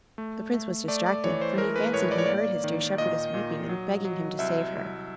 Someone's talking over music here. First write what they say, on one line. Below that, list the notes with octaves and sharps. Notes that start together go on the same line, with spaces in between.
The Prince was distracted, for he fancied he heard his dear shepherdess weeping and begging him to save her.
A3
A3
A3 D5
D5
E3 C#5
C5
G#3 A#4
B4
A2 C#5
D5
C#5
A#3 D5
D#3
A#2 D#5
A#2
F#3
F#3
C2 E5
C2